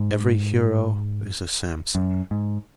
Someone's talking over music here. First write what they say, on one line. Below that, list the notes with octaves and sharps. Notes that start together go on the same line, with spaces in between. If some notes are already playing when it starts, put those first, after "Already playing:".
Every hero is a Samson.
Already playing: G#2
F#2
G#2